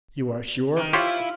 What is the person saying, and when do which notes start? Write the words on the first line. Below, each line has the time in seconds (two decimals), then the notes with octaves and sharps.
"You are sure?"
0.76 D#3
0.93 E4 F4 G4 C5 C#5 E5